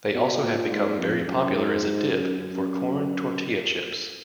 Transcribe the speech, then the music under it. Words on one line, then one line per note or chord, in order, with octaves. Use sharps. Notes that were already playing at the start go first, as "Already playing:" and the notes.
They also have become very popular as a dip for corn tortilla chips.
B2
A#2
G#2
F2
F#2
G#2
G#2
F#2
F#2